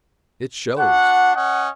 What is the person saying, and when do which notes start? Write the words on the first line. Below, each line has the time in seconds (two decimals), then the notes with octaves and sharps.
It shows.
0.79 D4 F#4 F#5
1.35 C#4 D#5 F#5